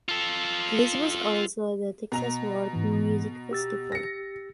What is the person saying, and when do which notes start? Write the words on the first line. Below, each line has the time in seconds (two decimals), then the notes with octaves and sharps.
This was also the Texas World Music Festival.
0.09 F4 A4
2.12 B2 A#5 F7
2.73 G#2 E3
3.51 G4 E6 A6
3.92 A#6 C#7